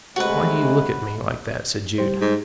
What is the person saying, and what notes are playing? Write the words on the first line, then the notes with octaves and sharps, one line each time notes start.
"Why do you look at me like that?" said Jude.
C3 G#3 A3 F#4 B4
G3 G4 C5
G#2